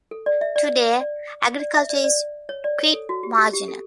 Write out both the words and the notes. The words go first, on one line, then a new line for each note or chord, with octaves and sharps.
Today, agriculture is quite marginal.
A4
D5
E5
D5
D5
D5
E5
D5
D5
C#5
D5
C#5
A4
F#4
G4
G4
G4
A4